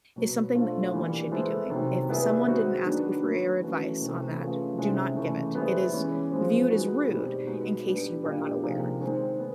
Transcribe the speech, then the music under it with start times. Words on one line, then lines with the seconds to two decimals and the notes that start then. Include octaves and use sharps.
is something no one should be doing. If someone didn't ask you for your advice on that, do not give it. It is viewed as rude in case you were not aware."
0.16 B2 F#3 B3
0.54 A3 D4 F4 A4 C5
0.93 E3 G3 A#3
1.31 G#3 B3 E4 A4 C5
1.70 C3 D#3 F#3
2.09 G3 B3 E4 G#4 B4
2.46 D#3 G#3 C4 D#4 F#4
2.85 D#3 F#3 B3 D4
3.24 D#3 F#3 B3
3.62 E3 A3 C#4 F#4 B4
4.01 C3 E3 A3
4.39 A3 C#4 F4 G#4 B4
4.77 C3 D#3 G#3 C#4 E4
5.16 C#3 E3 A3
5.55 G3 B3 E4 G#4 C5
5.93 E3 G#3 C#4
6.32 F3 G#3 C4
6.70 D#3 G#3 B3 D#4 F#4
7.08 B2 G3 C4 D#4 G4
7.47 G#3 B3 D#4 F#4
7.85 G3 B3 D4 G4 B4
8.24 A#2 G3 A#3 D4 G4
8.62 C3 F3 A#3 D#4 G#4
9.01 D#3 G#3 C4
9.39 B3